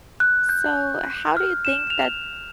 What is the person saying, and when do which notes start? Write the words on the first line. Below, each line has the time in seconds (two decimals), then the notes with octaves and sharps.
so how do you think that
0.20 F#6
0.49 G6
1.37 F6
1.65 E7
1.90 F7